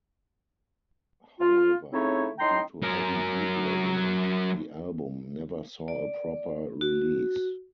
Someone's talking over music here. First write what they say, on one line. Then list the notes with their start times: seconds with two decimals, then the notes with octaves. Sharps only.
However, due to heavy bootlegging, the album never saw a proper release.
1.40 F4
1.92 C#3 A3 C4 D#4 E4 C#5
2.39 A2 D#4 G5 A#5 C6
2.83 F#3 A#4
5.88 D5
6.81 F#4